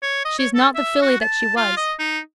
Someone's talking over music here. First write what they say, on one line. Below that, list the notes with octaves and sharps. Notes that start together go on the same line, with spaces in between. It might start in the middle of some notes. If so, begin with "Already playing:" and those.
She is not the filly that she was.
C#5
D#5
C#5
A4
E5
F#4
A5
F4
D#5
D#4